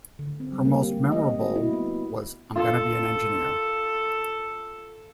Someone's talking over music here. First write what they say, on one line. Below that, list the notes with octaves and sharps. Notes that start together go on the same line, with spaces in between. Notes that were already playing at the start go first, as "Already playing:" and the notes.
Her most memorable was "I'm Gonna Be an Engineer".
D3
C4
G3
A#3
G4
A3
D#5
C4
F#4
E4
B3
F4 A4